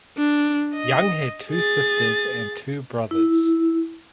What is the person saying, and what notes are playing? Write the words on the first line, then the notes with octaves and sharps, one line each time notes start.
Young had two sisters and two brothers.
D4
D#5
G#4 A6
E4